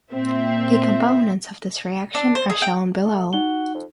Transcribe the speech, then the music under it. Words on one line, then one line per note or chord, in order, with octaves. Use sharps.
The components of this reaction are shown below.
A#2 C4 E5
D4
C5
G#4
G5
A3
D#4 F#4 G7
F2